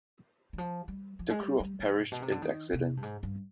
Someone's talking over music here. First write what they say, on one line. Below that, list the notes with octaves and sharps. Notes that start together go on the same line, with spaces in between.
The crew of perished in the accident.
D#3
F3
G3
F3
G#3
G3
G3
F3
G#2
B2
C3
D3
D#3
C3
G2
G#2
G2